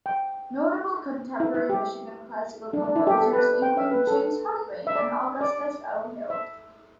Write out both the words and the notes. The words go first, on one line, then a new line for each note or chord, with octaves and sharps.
Notable contemporary Michigan classical composers include James Hartway and Augustus O. Hill.
G5
E4
E4
G4
D4
D4
E4
G4
A4
B4
G5
E5
B4
A4
E5
D5
D5
E5